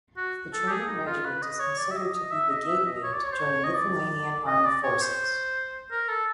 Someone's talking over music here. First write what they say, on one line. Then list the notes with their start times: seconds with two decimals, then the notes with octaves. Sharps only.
The Training Regiment is considered to be the gateway to join Lithuanian Armed Forces.
0.17 F#4
0.53 A4
0.67 G4
0.70 G#4
0.88 D#4
1.06 F4
1.25 B4
1.42 D#5
1.60 C#5
1.78 D5
1.91 E5
1.97 D#5
2.14 D#5
2.32 E5
2.50 D#5
2.67 E5
2.86 D#5
3.03 C#5
3.13 D5
3.24 C#5
3.32 C5
3.39 C#5
3.64 D#5
3.75 D5
4.47 D#5
4.65 D5
4.83 C#5
5.02 C5
5.91 A#4
6.09 A4